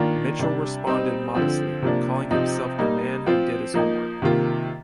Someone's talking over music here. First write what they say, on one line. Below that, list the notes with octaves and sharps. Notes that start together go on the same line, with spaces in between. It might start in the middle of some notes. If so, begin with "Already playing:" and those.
Mitchell responded modestly, calling himself the man who did his homework.
Already playing: D#3 A#3 D4 F4
C3 G3 D4
G3 C4 D#4
D3 F3 C4
C3 F3 A#3 D4
C3 F3 C4 D#4
G3 A#3 D#4
F3 C4 F4
F3 A#3 D#4
C3 D#3 A#3 F4